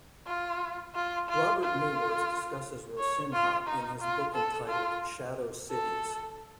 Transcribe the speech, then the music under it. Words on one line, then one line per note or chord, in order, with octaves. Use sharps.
Robert Neuwirth discusses Rocinha in his book entitled "Shadow Cities".
F4
F4
F4
F4
C#5
F4
D#4
F4
A4
F4
A4